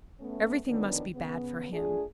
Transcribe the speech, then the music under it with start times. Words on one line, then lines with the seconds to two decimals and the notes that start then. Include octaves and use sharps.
Everything must be bad for him.
0.20 A3 B3 C#4
0.67 D3 D#3 F3 B3 C#4 D4
1.15 C#3 B3
1.71 A3 D4 F4 G#4